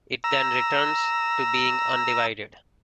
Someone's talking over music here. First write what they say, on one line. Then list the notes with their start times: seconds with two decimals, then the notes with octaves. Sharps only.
It then returns to being undivided.
0.24 A#5 E6